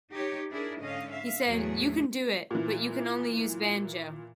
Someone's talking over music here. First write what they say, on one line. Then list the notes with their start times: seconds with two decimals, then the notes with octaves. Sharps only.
He said, 'You can do it, but you can only use banjo.
0.12 D#4 G4 C#5
0.51 D4 E4 G#4 A#4
0.80 G#2 D3 C#4 D#5 F5
1.11 E5 F5
1.44 E2 A2 F#3 A3 G#4
2.51 A#2 E3